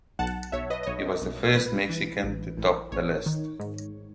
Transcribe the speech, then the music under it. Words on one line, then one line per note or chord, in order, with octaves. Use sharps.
He was the first Mexican to top the list.
B1 F#5 A5
B1 C#5 E5
B4 D#5
D#5
B1 C#5
B1
A1 B4
E3
A1
A1
A1 C#5
D#3
G#2